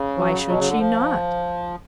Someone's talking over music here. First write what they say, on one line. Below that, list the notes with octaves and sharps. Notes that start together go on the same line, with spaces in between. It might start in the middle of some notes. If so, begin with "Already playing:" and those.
Why should she not?
Already playing: C#3
F#3
B2 F#3
C#3
D3
F3